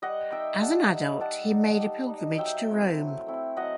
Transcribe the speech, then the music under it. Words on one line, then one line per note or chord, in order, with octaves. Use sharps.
As an adult he made a pilgrimage to Rome.
G3 D#5 F#5
D#4 E5 G5
G3 F#5 A5
D#4
G3 F#5 A5
D#4
G3
D#4
F#3 E5 G5
A3 C4 E4
F#3
A3 C4 E4
F#3 D#5 F#5